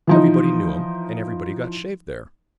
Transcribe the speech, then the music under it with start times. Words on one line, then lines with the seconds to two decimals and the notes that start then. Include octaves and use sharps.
Everybody knew him and everybody got shaved there.
0.07 E3 F3 D#4